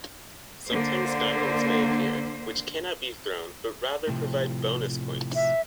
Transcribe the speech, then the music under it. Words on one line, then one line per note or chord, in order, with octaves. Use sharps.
Sometimes diamonds may appear, which cannot be thrown but rather provide bonus points.
D3 A#3 C5
A2 C3 F3
E5